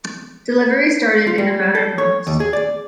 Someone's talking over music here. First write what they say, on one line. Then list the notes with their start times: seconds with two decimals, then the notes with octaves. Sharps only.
Deliveries started in a matter of months.
1.27 F4
1.38 G3
1.75 A4
1.98 C#5
2.27 D#2
2.40 G#4
2.53 D5